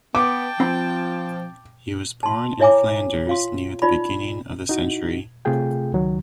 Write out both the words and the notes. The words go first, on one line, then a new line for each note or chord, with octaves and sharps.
He was born in Flanders near the beginning of the century.
B3 G5 A5 D6
F3 C4 F#5 B5
A5 C6
E4 C#5 E5 G#5 A#5 D6
F4 F5 C6
D#4 F4 D5 B5
D#4 E4 F#4
C3 A3 F4 G#4 G5
C#2 D#3 F#3